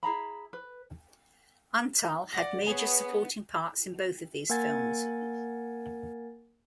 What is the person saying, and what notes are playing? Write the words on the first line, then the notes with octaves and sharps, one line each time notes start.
Antal had major supporting parts in both of these films.
E4 G#4 A#5 B5
B4
D5 F#5 A#6
B3 G#4 C#5
A#3 A#4 F#5 G#5 G#6 A6